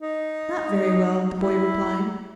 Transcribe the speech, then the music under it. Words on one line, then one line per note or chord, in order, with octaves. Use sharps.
"Not very well," the boy replied.
D#4
E4